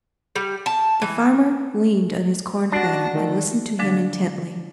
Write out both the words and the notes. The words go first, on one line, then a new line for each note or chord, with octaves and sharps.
The farmer leaned on his corn-planter and listened to him intently.
G3
A5
E3
D4 F#4 A5 A#6
D#3 A3
D3 F3 F#3 G#3 D4